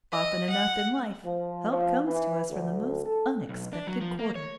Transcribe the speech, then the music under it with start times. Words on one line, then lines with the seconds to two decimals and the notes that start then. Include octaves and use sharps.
Often enough in life help comes to us from the most unexpected quarter.'
0.12 D#5
0.50 F#5
1.24 F3
1.70 F3
2.06 E3
2.50 D2
3.05 A4
3.49 B1
3.73 D4
3.87 F#3
4.01 F3
4.19 A#3
4.35 C#5